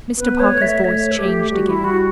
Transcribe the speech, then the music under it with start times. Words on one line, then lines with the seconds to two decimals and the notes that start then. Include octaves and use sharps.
Mr. Parker's voice changed again.
0.18 B3 B4
0.40 C#5
0.51 A3
0.61 E5
0.84 A3 C#5
1.11 A4
1.18 A3 G4
1.51 G3 F#4
1.68 E4
1.84 F#4